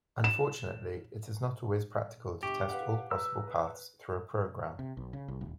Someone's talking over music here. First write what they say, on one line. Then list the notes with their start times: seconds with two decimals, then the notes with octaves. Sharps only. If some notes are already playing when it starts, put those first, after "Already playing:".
Unfortunately, it is not always practical to test all possible paths through a program.
0.24 E7
2.43 G1 G4 C#6
2.69 B4 F5 F#5
3.11 B4 A#5 E6
3.47 B4
4.79 C3
4.97 B1
5.13 C#3
5.28 C2
5.41 D#1